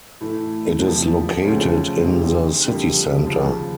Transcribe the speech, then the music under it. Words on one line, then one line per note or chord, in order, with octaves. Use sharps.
It is located in the city center.
A2 E3 A3
F2 C3 F3
D2 C#3 F3 A3 C#4
C3 D#3 G#3
F2 D3 G3 A#3 D4
D#2 C#3 F3